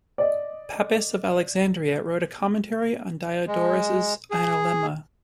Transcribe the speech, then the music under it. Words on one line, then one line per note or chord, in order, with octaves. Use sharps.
Pappus of Alexandria wrote a Commentary on Diodorus's "Analemma".
D5 D#5
G#3
G#4